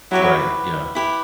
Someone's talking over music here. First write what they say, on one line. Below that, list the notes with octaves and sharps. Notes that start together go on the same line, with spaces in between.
Right, yeah.
F#3 E4 G4 B4
E4 G4 B4